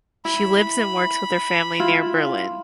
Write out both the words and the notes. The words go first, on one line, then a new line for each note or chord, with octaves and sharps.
She lives and works with her family near Berlin.
E4 B5
E4 F4 F5